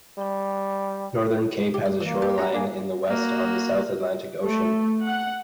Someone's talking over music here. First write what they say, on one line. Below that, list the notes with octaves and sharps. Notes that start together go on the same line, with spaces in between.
Northern Cape has a shoreline in the west on the South Atlantic Ocean.
G3
G4
G#3
E3 A#3
G4 A5
G3 F#4 A#5
A#3 D4 G#4
A#3 F#4
A3
F#5